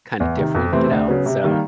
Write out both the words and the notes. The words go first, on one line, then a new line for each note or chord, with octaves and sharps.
kinda different, you know? So
E2
C3 D#3
F2
C3 E3 A3 C4
D2
C#3 F#3 B3
C3
D#3 G3 A#3